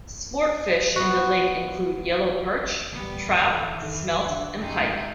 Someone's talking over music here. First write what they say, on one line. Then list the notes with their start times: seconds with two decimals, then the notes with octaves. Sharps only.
Sportfish in the lake include yellow perch, trout, smelt and pike.
0.96 B3 F#4
2.92 A1 D2 G#2 G3 B3
3.50 E3 A4 A5 A#5
3.82 F2 D#3 A4
4.30 D3 F#5
4.59 G1 F2 D3 G#3 C#4 D#4 G5